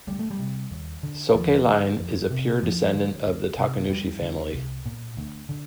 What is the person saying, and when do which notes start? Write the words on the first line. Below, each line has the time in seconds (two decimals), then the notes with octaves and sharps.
Soke line is a pure descendant of the Takenouchi family.
0.07 D2 G3
0.19 A3
0.31 G3
0.39 C3
0.71 D#2
1.03 D3
1.35 D#2 F3
1.67 D3
1.99 F2
2.30 C3
2.62 F2 F3
2.94 D3
3.26 D2
3.58 C3
3.90 F2 G3
4.22 D3
4.54 C2
4.86 A#2
5.17 D2
5.49 D3